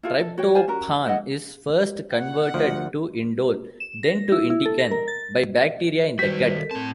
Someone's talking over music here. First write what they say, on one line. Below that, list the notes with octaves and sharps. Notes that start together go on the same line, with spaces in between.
Tryptophan is first converted to indole, then to indican by bacteria in the gut.
E4 F4 A4
A4
F#4 C#5 G5
F4 C5 G#5
C#4 F#4 A#4
E4 A4 D#5 F#5
F#5
D2 F3
E7
A#6
E4
E4
A4
A#6
A#4
A6
D#3 G3 F#4 B4 C5 G6 B6
A4 A#4
A2 C4 A5